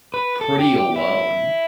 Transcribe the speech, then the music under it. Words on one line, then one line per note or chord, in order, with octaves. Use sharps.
pretty alone.
B4
A4
G4
G4
E4